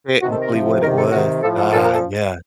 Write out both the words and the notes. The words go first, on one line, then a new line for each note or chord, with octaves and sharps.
Technically what it was. Ah, yeah.
C3 D#3 F#4
A4
A#4
C3 F3
C3 D#3 A#4
A4
C3 D#3 F#4
A2 F3 A4
A4
A#2 F3 A4
A#4
A4